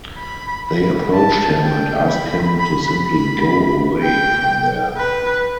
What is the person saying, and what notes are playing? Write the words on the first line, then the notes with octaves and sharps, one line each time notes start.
They approached him and asked him to simply "go away" from there.
B5
B5
A5
G5
B5
B5
B5
G5
B4